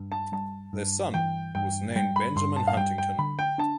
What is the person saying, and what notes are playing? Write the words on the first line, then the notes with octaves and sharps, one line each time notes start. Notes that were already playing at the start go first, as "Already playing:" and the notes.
Their son was named Benjamin Huntington.
Already playing: G2
A5
G3 A5
G2
E3 G5
G2 G5
G3 G5
B5
G2 C6
A5
F5
G3 G5
G5
D3 B5
G5
D4 A5